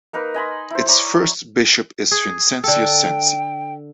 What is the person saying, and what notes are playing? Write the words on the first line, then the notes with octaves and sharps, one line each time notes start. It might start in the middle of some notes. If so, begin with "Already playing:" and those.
Its first bishop is Vincentius Sensi.
A#3 D#4 A#4 B4
D#5 G#5 B5 C6
E4 C5
C#5 D5 A#5 B5
G#4
D3 A4 G5